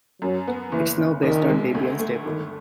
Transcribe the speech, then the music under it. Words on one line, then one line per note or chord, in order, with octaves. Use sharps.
It's now based on Debian Stable.
F#2 F#3
B3
F#1 E3
F#1
A#1 D#3
G#3
D2
A3
G1 D#3